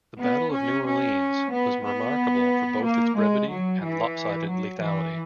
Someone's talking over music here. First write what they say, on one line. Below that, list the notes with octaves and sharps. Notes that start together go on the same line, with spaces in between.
The Battle of New Orleans was remarkable for both its brevity and lopsided lethality.
B3
C#4
C#4
B3
B3
A#3
G#3
F#3
E3
F#3
E3